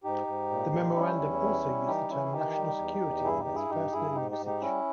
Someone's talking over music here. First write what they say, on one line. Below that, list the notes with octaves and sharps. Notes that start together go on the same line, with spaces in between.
The memorandum also used the term "national security" in its first known usage.
G#2 D#4 G4
G#2
A#2
A#2
G3 C#4 E4
E2
G3
G3
E3 D#4 G4
E3 C#4 E4
G#4
D#3 D#4 G4
G3
E2
E2
G2 E4 G#4
D#4 G4
G2
E4 G#4
G2 D#4 G4
G2 E4 G#4
G#2 D#4 G4
D#4 G4
G#2
D#4 G4
G3 C#4 E4